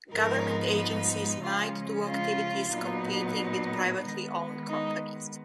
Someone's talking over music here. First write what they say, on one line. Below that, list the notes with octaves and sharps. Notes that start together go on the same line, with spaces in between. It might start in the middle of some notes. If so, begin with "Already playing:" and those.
Government agencies might do activities competing with privately owned companies.
G#2 F3 G#3 B3 D#4 A#4
C#3 F3 G#3 C#4 F4
F4
A#2 F#3 B3 D#4
D#3 G#3 B3
D#4